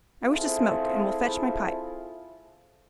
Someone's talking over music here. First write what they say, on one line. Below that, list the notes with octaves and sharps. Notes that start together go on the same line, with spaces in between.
"I wish to smoke, and will fetch my pipe."
C4 E4 F4 G#4 A4 C5